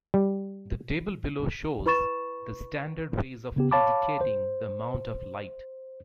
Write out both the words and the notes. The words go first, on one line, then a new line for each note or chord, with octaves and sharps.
The table below shows the standard ways of indicating the amount of light.
G3
E4 B4 B5 C#6 A6 E7
C#3 B3 G4
C#5 F5 A5 B5 D6
C5